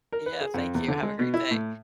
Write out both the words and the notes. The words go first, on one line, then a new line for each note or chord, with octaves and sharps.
Yeah, thank you, have a great day.
A#4
B4
G#4
F2
E2
D3
G#3
B2
E4
A2